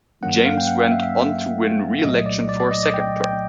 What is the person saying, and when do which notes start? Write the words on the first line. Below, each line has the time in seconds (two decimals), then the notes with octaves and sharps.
James went on to win re-election for a second term.
0.23 G2 D#3 F#3 A#3 C#4 F#5
0.45 F5
0.58 G5
0.67 F#5
0.79 F5
0.91 E5
1.02 E5
2.03 C2 A#2 F#3 A3 D#5
2.26 D5
2.49 D5
2.60 D5
2.71 D#5
2.83 D5
2.94 G5
3.23 G5